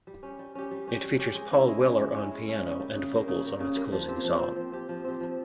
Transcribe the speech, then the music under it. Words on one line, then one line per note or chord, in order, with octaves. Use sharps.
It features Paul Weller on piano and vocals on its closing song.
G3
C#4 G4
G3
C#4 G4
G3
C#4 G4
G3
C#4 G4
G#3
C#4 E4
G#3
C#4 E4
G#3
C#4 E4
G#3
C#4 E4
C#3
G3 A#3
C#3
G3 A#3
C#3
G3 A#3
C#3
G3 A#3
F3
C4 G4
F3
C4 G4
F3
C4 G4
F3
C4 G4
F3